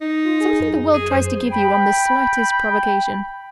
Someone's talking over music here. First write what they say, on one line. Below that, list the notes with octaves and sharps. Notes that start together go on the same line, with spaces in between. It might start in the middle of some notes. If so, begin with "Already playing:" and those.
Something the world tries to give you on the slightest provocation.
D#4
F4
G#4
F#2
G#4
C5
G5 B5